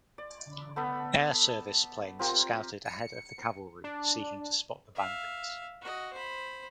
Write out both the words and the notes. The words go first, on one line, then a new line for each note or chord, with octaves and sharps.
Air Service planes scouted ahead of the cavalry seeking to spot the bandits.
D5
A3 B3 A4 B5
A5
C4 F4 G4 A#4
C#7
D4
E5 F5
F#4 D#5
C5 B5